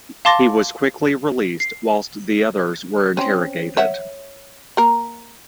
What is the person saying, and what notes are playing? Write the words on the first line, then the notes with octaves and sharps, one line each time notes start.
He was quickly released whilst the others were interrogated.
F5 A5 C6 D6 A6 A#6
C7
C4 C#4
C#5 E5 F#5
A#3 A#4